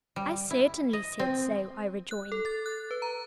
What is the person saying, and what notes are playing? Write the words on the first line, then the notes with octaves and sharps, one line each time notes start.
"I certainly said so," I rejoined.
G3
E4
D#5
C4
F#6
A4
A6
F#6
B4
A#5